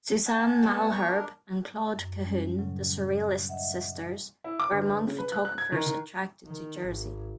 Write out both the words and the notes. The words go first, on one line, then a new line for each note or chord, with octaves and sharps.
Suzanne Malherbe and Claude Cahun, the "Surrealist Sisters" were among photographers attracted to Jersey.
F#5 G#5 A5
G3 B3 A4
A#5 C#6
D4 A#4
F#2
G3 G#3 C#4
A2 C#3 F#3
D#5 E5 F#5
E4
D6
G1
C#3
B4
F#6
F#6
G#6
D#3
D#3
D#3
G#1